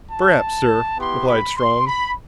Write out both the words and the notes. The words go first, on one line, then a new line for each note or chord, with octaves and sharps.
"Perhaps, sir," replied Strong.
A5
B3 E4 G4 C6
B5
C6
B5